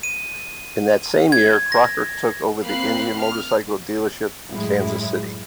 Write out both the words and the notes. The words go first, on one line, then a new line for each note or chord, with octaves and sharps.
In that same year, Crocker took over the Indian motorcycle dealership in Kansas City.
D#7
G#6
A#6
A#3 C4 F5 B5 F#6 C7
F6
F#2 A2 F#3 G#3 E4